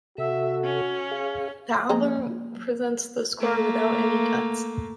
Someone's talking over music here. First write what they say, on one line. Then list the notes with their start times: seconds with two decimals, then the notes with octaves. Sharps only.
The album presents the score without any cuts.
0.18 C3 F#4 A4 E5
0.64 C#4
1.11 G#4 F5
1.89 F3 G#3 A#3 G#4 D#5 A#5
3.40 A3 A#3